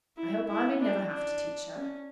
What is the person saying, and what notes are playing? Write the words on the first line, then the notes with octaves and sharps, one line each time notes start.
"I hope I may never have to teach her."
E4
E4
D4
D4
C#4